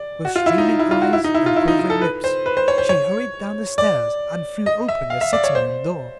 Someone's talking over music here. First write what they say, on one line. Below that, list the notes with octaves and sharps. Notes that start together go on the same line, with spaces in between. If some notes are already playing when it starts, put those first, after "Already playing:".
With streaming eyes and quivering lips she hurried down the stairs and threw open the sitting-room door.
Already playing: D5
F#4
F4
E4
D#4
D#4
E4
F4
F#4
E4
D#4
E4
F4
E4
D#4
D#4
A4
B4
C5
B4
C5
C#5
C5
C#5
D5
D#5
E5
F5
E5
D5
C#5
C5